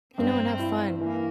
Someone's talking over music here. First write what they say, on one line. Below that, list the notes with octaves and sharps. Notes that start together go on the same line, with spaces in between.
you know, and have fun."
G2 C4
E4
E3 A#3